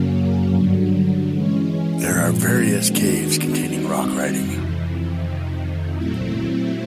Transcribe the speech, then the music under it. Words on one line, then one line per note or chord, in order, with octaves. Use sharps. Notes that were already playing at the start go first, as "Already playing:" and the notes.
There are various caves containing rock writing.
Already playing: F#2 C#3 F#3 A#3 C#4
G2 D3 F#3
E3 G#3 C#4
A#2 F3 G#3 C4
D#3 G#3 B3 D4 F#4
D#3 G3 C4 D#4 F#4
F2 C3 E3
F2 C3 D#3
A#2 F#3 A3 C4 E4